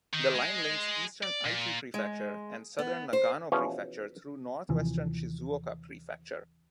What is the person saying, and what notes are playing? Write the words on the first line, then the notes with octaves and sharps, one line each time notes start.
The line links eastern Aichi Prefecture and southern Nagano Prefecture through northwestern Shizuoka Prefecture.
D#3
G#3
D5
A#2
G#3
B3
C5
E2 B2 F3 C#4
D#2 C3 E3 F3